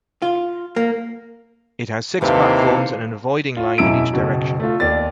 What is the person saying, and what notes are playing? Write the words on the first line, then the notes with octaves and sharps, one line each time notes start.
It has six platforms and an avoiding line in each direction.
F4
A#3
D#2 C3 D#3 E3 A#3 A4 B4 F5
F4
E1 F#2 E4 E6 D7
F#1 B2
A3 F4
D#2 D5 A6